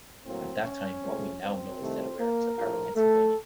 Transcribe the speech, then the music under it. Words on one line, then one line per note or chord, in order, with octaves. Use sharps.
At that time what we now know as Delaware was a part of Pennsylvania.
A2 F#3 A#3 C4
C#4
C#2 C#3 A3 C4
C4 C5
C2 C3 D#3 A3
A#3 A#4
A#1 A2 F3 A#3
A3 A4